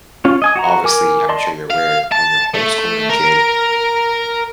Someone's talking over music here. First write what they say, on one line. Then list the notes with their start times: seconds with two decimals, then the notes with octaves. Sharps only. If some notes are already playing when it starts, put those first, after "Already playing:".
obviously, I'm sure you're aware, when you're homeschooling a kid,
0.25 C#4 F4
0.42 D#5 G#5 D#6
0.56 F#4 F#5 A#5
0.84 A#4 G#5 D6
1.29 D5 D#5 A5 C6
1.70 F5
2.12 A5
2.54 A3
3.10 A#4